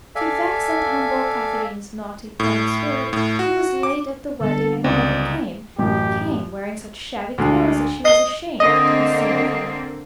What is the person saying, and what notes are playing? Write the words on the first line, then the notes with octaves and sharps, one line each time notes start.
To vex and humble Katharine's naughty, proud spirit, he was late at the wedding, and when he came, came wearing such shabby clothes that she was ashamed to be seen with him.
A4 D5 E5 F5 G#5
A2
A2
F#4
D6
D3 G3 B3 A4
C#2 C4 D#4 D5
A1 F#2 G4
D2 G#3 D4
D#5 C7 G7
D3 A#3 C4 D#5